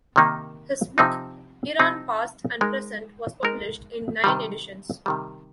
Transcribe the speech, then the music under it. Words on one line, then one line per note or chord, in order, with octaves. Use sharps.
His book "Iran Past and Present", was published in nine editions.
C3 D#3 A#3 D#4
C3 F3 C4 D#4
C3 F3 C4 D#4
G#3 D#4 A#4
G#3 D#4 A#4
C3 D#3 G3
C3 D#3 G3